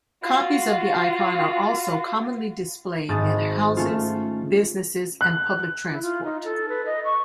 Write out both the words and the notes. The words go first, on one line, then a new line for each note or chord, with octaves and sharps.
Copies of the icon are also commonly displayed in houses, businesses, and public transport.
F4 F#4
G#1 G#2 D#6 A6
A3 C#4 F4
F#6
E4
F4
D#4
A4
B4
D#5
C#6